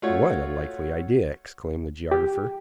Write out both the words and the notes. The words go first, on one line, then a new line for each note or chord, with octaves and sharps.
"What a likely idea!" exclaimed the geographer.
A3 F4 F#4 C#5
G4